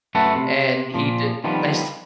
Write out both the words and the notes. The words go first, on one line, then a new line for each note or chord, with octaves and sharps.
And he did my s
F#2 A3 A4 B4 F#5
C3
A#2 F3
D#3 F3 G3 B3